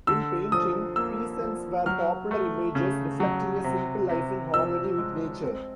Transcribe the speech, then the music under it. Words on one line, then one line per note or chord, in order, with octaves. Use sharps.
In painting, peasants were popular images, reflecting a simple life in harmony with nature.
D3 E6
F3 D#6
A#3 E6
F3
F#3 F6
A3
C#3
F#3
C3
C3
F3 E6
G#3
C4